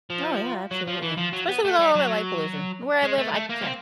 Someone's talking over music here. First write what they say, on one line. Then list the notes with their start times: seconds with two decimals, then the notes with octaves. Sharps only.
Oh, yeah, absolutely. Especially with all all that light pollution. Where I live I can't
0.10 F3
0.71 F#3
0.87 F3
1.02 E3
1.17 F3
1.33 F#3
1.48 B3
1.65 A3
1.79 G3
1.95 F#3
3.03 G#3
3.18 A3
3.34 A3
3.50 A#3
3.62 C4